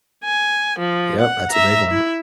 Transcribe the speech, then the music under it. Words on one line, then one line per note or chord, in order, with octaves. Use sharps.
Yep, that's a big one.
G#5
F3
F#5
E5 A#5
E4 E5